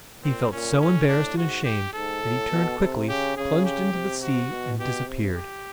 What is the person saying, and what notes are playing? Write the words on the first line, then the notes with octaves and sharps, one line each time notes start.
He felt so embarrassed and ashamed that he turned quickly, plunged into the sea, and disappeared.
A#2 C4
A#2 C#4
A2 C#4
A2 D4
G#2 F#4
G4
G#2 A4
A2
B2
C3
C#3 G4
C#3 G#4
G4
C3
F#4
B2
B2 G4
C3
G4